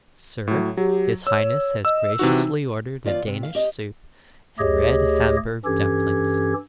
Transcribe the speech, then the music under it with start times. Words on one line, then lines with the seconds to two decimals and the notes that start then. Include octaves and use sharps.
'Sir, his highness has graciously ordered a Danish soup and red Hamburg dumplings.'
0.47 A2 F#3
0.77 F#3 G4
1.27 C#5 E6
1.85 D#5 E6
2.19 C3 E3 D#4 F#4
3.04 D#2 F4 D5 F5
3.26 C3
3.43 F5
3.55 G4 D#5
4.59 D2 A3 G4 G#4 C#5 D#5
5.65 G2 E3 C#4 G4 A4 G#6